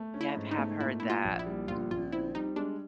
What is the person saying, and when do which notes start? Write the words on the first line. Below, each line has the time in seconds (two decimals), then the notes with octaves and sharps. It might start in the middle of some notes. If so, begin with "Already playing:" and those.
Yeah, I've have heard that. Mhm.
Already playing: A3
0.14 C#4
0.21 E4
0.36 G#2
0.51 D#4
0.58 A3
0.80 A#2 E4
1.00 A#2 E4
1.10 F4
1.24 A#1
1.39 E4
1.46 G3
1.68 A#1 F4
1.91 A#1 F4
2.12 C4 E4
2.35 G3 D#4
2.56 G#3 D4